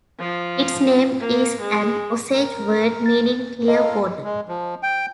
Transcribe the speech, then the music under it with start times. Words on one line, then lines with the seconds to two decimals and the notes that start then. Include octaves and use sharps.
Its name is an Osage word meaning clear water.
0.19 F3
1.20 A#3
1.60 G#3
2.34 A#4
3.06 A6
3.68 F4 A4 A#4 D#5
4.24 G#3
4.48 F3
4.83 G5